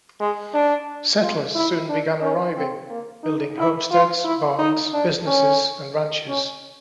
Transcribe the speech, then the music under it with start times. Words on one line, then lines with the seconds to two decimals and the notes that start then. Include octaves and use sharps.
Settlers soon began arriving, building homesteads, barns, businesses, and ranches.
0.20 G#3
0.54 D4
1.21 F4
1.55 E4
1.89 D4
2.22 C#4
2.56 C4
2.90 A#3
3.23 D#4
3.58 E4
3.92 F4
4.25 E4
4.59 D#4
4.93 D4
5.27 C#4
6.28 C#4